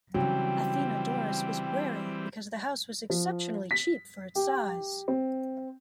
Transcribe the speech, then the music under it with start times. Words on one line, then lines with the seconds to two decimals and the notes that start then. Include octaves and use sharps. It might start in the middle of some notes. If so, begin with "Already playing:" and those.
Athenodorus was wary because the house was exceptionally cheap for its size.
0.14 C#3 E3 F#3 G3 C4 G5
3.10 F3
3.71 B6
4.35 G4
5.08 C4